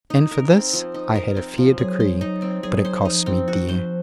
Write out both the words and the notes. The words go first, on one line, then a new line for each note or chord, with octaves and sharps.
And for this I had a fair decree, but it cost me dear.
D#4
A#4
C4
F3
D#4
A#4
C4
F3
F#3 G#4
C5
F#3 D#4
C4
F#3 G#4
C5
F3 D#4
C4
F#4
C5